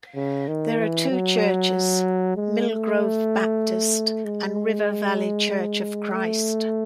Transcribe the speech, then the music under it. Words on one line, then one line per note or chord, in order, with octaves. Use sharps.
There are two churches, Millgrove Baptist and River Valley Church of Christ.
C#3
D#3
E3
F#3
G#3
A3
G#3
A3